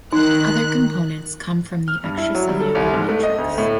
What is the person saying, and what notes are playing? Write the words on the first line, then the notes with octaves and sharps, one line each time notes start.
Other components come from the extracellular matrix.
D#3 D#4 F#6
F6
G2
E4
F#3
G3
A4
C2
G#2
A3
D#5
D2
A2